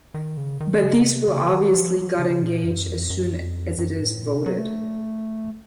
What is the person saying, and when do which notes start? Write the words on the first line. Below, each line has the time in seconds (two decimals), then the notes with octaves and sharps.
But these will obviously got engage as soon as it is voted.
0.14 D#3
0.37 C#3
0.60 D#3
0.83 C#3
1.05 C3
1.28 C#3
1.51 D#3
1.74 F3
1.97 F#3
2.07 F3
2.19 C#3
2.30 C#3
2.42 A#2
2.64 F#2
2.88 F2
3.10 F#2
3.33 F2
3.78 F#2
4.01 A2
4.23 A#2
4.35 C3
4.46 F#3
4.58 A3